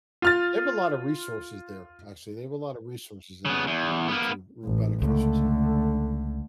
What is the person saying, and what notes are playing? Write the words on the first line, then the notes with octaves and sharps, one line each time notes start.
They have a lotta resources there, actually, they have a lotta resources in there, where where true real beneficial stuff.
F4 F6 A6
C#3 B3
E2
A#3 B3
A1
C#2 D3 A3